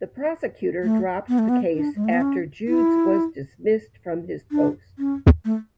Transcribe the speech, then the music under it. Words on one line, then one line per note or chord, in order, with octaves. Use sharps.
The prosecutor dropped the case after Judes was dismissed from his post.
A3
B3
A3
B3
D4
G#3
A3
B3
C#4
E4
D4
C#4
A3